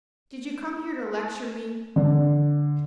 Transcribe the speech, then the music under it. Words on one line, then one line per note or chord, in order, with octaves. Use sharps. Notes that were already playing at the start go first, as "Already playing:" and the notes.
Did you come here to lecture me?
D3